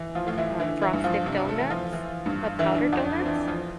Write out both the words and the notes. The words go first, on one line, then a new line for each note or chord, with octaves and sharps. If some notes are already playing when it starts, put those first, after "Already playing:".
uh, frosted donuts, the powdered donuts.
Already playing: E3
F3 F4
A2 F4
E3 E4
D3 E3 E4
E3 E4
G2
F3 F4
C3 D4
A3 A4
E3
F3 F4
E3
G2
D3 E3 E4
D4
F2 D4
D4
C4
E3 D4
F3 F4